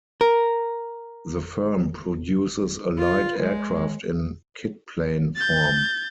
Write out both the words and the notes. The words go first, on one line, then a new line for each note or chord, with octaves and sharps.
The firm produces a light aircraft in kitplane form.
A#4
F4
G#3
G6 A6